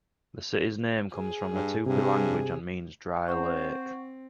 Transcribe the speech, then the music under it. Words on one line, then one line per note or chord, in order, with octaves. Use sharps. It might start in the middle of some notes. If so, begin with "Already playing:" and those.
The city's name comes from the Tupi language and means "dry lake".
G#4
G2
G2 C3 G#4
C4 C5 F#5 C#6